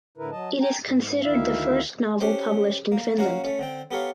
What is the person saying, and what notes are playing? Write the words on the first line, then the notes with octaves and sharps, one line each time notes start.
It is considered the first novel published in Finland.
A2 D3 E4 A#4 B4
F#3 D#5 A5
G5 G#5 A#5
G#2
D2 D#3 E4 E5 F5
C#4 D4 G4 C5
A#3
A#3 C#4 F#4 F5 A#5
A3 C#4
D3 C4 G5
B3 G4 A4 A#4 C#5 F5